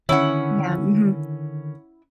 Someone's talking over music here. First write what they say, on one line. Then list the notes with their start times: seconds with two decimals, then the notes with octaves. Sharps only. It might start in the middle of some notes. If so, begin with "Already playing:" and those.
Yeah, mhm.
0.09 D3 D#3 C#4 E4 F#5